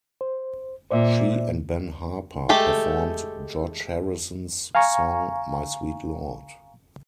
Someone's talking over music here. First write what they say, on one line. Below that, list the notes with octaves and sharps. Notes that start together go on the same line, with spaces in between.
She and Ben Harper performed George Harrison's song My Sweet Lord.
C5
A#2 C5 D5 E5
G#3 A3 G4 A4
F5 G#5 A#5 C#6